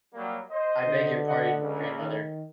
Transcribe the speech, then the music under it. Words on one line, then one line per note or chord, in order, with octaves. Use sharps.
I beg your pardon, grandmother.
F#3 G3 A#3
C5 D#5
D3
D#5 F#5
C#2
D#3